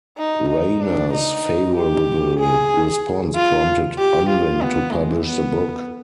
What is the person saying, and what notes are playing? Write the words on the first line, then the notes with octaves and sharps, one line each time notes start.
Rayner's favourable response prompted Unwin to publish the book.
D#4
D#4
D4
D#4
G4
G#4
F4
G4
F4
B3
G#3
B3